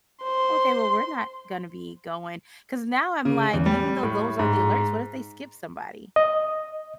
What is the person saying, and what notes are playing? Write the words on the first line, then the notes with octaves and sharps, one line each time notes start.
Okay, well, we're not gonna be going 'cause now I'm like, even though those are the alerts, what if they skip somebody?
C5 C6
C#3
E2
G3
A2
G#2
D#5